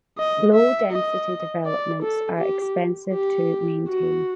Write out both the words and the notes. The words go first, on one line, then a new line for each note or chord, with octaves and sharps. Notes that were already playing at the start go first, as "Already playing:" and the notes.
Low density developments are expensive to maintain.
D#5
E5
D#5
D5
A4
G4
G4
F#4